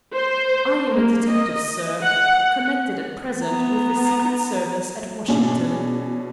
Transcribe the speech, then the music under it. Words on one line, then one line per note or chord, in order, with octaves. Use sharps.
I am a detective, sir, connected at present with the Secret Service at Washington.
C5
A#3
D#5
F#5
B3 A#5
B2 C#4 D4 G#4